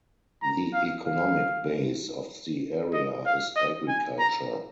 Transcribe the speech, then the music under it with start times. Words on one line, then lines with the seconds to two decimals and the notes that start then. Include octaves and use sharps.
The economic base of the area is agriculture.
0.42 A#5
0.74 F5
1.06 F5
2.93 D#5
3.26 F5
3.56 D#5
3.88 G#5
4.19 A#5